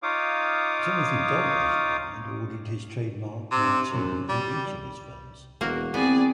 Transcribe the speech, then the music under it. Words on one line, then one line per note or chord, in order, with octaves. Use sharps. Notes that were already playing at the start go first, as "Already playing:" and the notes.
Timothy Dalton's Bond ordered his trademark Martini in each of his films.
D#4 F4 C#5 F5 D6 D#6
C3
F#2
G3
E1 A#3 F#4
E2 B3 C4 G#4 D5